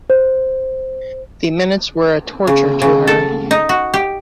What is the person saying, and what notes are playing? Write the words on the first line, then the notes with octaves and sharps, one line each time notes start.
The minutes were a torture to her.
C5
C#3
C#3
A4
D#4
F#4
G4